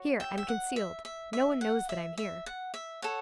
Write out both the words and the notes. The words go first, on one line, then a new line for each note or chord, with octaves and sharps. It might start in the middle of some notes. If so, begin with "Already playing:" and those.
Here I'm concealed, no one knows that I'm here.
Already playing: F#4 C#5
E5 G5
E5
F#5
E5
E5
E5
F#5
E5
E5
F#5
E5
A4 C#5 F#5